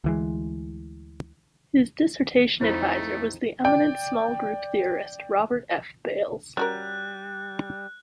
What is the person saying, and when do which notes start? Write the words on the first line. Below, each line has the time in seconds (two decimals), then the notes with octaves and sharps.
His dissertation advisor was the eminent small group theorist Robert F. Bales.
0.04 D2 E3 G#3
2.61 F2 A3 D#4 E4 C5 B5
3.64 D5 G5
6.57 G3 C#4 F#4 A#4 F#6